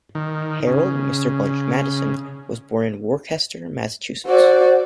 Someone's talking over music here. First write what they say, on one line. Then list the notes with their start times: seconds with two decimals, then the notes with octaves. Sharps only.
Harold 'Mr Butch' Madison was born in Worcester, Ma.
0.15 D#3
0.67 C#3
4.26 F#4 C5 D5